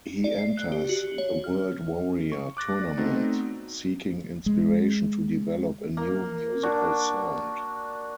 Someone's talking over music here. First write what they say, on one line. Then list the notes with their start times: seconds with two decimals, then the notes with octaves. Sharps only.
He enters the World Warrior tournament, seeking inspiration to develop a new musical sound.
0.24 D5
0.39 C7
0.57 F#6
0.72 G4
0.89 F#4
1.18 C#5
1.44 F6
2.32 C#6
2.57 D6 F#6 A6 A#6
2.81 D5
2.97 A3 B3 C4 D#4 F#4
4.46 G#3
5.97 A#3
6.63 D4 F#4